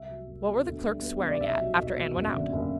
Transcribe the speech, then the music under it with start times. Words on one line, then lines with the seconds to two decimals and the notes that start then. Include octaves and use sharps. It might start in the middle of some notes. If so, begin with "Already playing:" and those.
What were the clerks swearing at after Ann went out?
Already playing: C2 E5
0.09 F#3
0.27 C2
0.47 B2
0.65 D2
0.84 G3
1.02 B3
1.21 C3
1.28 D5
1.40 B1 E5
1.58 F#3
1.77 B1
1.97 B2
2.15 F#1
2.34 D3
2.52 F#1